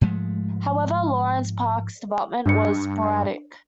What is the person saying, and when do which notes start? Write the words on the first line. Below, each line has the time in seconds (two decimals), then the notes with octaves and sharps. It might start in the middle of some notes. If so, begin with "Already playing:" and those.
However, Lawrence Park's development was sporadic.
0.01 G#2 F3 G#3 A3
2.46 G2 D4 C#7